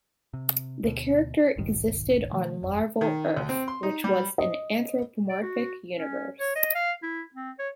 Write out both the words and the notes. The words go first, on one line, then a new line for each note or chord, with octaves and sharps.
The character existed on Larval Earth, which was an anthropomorphic universe.
C3
D2 B2
D#1 B1 G#2 D#3
B2 D#3 F3 A3
G1 F2
D#3
D2
C4
C6
D#4
G3
D#5
D5
F#4
C#4
C#5
D#5
F5
E4
C4
C#5